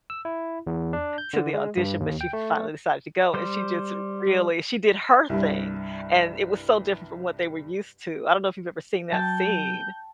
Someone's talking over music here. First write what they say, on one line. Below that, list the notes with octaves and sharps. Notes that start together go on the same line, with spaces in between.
to the audition, but she finally decided to go, and she just really she did her thing, and it was so different from what they were used to, I don't know if you've ever seen that scene,
E6
E4
E2
D4
G6
D3
G#3
G2
D#2
G5
A3
G3 C5
C2 G2
F#3 G5 A5 G6